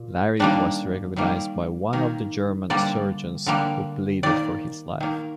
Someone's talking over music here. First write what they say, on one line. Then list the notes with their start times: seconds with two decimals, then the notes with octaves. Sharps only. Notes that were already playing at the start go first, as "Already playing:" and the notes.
Larrey was recognized by one of the German surgeons, who pleaded for his life.
Already playing: A#2
0.39 D#3 G3 A#3 D4
1.16 D#3 G3 A#3
1.93 D#3 A#3
2.70 D3 G3 A#3 D5
3.46 D3 G3 A#3
4.23 D#3 A#3 D5
5.00 D#3 A#3